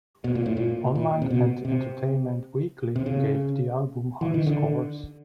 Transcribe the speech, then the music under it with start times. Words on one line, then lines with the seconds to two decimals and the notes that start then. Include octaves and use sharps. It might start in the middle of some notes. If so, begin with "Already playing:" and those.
Online and "Entertainment Weekly" gave the album high scores.
0.24 B2
0.35 A#2
0.46 A2
0.57 A#2
0.95 A#2
1.22 C3
1.30 B2
1.65 C3
2.96 C3
3.06 C#3
4.21 E3
4.34 D#3
4.47 D3